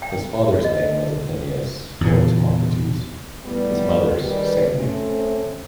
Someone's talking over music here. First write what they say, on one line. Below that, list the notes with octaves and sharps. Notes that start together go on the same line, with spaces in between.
His father's name was Athenaeus or Timocrates, his mother's Sande.
G5
D#5
E2 A#2 C#3
A2 G3 B3
D#3 G3 G4 G#4 B4
A3 C4 C#4